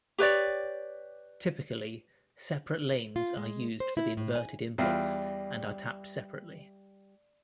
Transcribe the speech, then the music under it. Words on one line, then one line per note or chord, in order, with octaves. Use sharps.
Typically, separate lanes are used for the inverted inputs and are tapped separately.
G4 B4 C#5 D5
F4
G#3
C5
E4
A2
G#5
E2 G3 F4